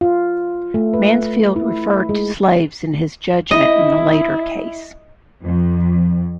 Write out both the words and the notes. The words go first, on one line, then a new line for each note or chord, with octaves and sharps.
Mansfield referred to slaves in his judgment in a later case.
F4
A3
B4
E4
G#3
E4 D#5
F2